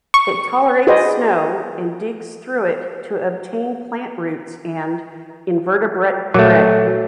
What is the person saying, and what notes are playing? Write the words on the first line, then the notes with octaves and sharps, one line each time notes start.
It tolerates snow and digs through it to obtain plant roots and invertebrate prey.
C#6
F#4 G#4 B4 C5 D5 D#5
A#2 F#3 A3